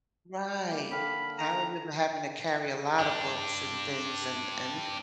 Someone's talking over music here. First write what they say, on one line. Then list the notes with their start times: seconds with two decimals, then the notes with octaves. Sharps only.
Right. I remember having to carry a lot of books and things and and
0.71 A#3
0.91 D3 F5 G5 B5
1.39 A#5
2.99 D4 G4